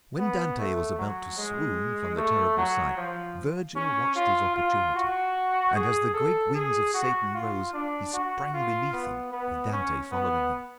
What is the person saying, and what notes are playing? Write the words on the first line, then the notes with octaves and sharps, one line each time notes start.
When Dante was about to swoon from the terrible sight, Vergil watched his opportunity, and as the great wings of Satan rose he sprang beneath them, with Dante following him.
B3
A3
F#3
G#3
A3
F#3
F3
C#4
F4
F4
F#4
G#4
A4
G#4
F#4
F4
D4
F#4
F4
B3
B3
C#4
B3